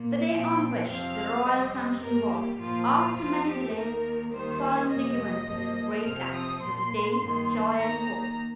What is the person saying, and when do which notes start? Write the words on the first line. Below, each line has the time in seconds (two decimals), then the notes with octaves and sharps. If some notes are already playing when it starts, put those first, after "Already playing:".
The day on which the royal sanction was, after many delays, solemnly given to this great Act, was a day of joy and hope.
Already playing: A#2 A#3
0.30 A#2 F3 C4 G5
0.88 F2 C3 F3 C4 F5
1.45 F2 C3 G3 C4 D#5
2.03 G2 G3 A#3 A#4
2.32 G4
2.60 A#2 F3 A#3 F4
2.88 F4
3.18 F2 F3 C4 F4
3.47 G4
3.75 D#2 D#3 A#3 A#4
4.33 D#2 D#3 G3 C5
4.91 F2 C3 G3 A#3 D#5
5.48 G2 F3 A#3
6.05 F2 C3 F3 C4 F6
6.34 D#6
6.63 A#2 A#3 C6
7.21 G2 D#3 A#3
7.78 D#2 D#3 A#3 A#5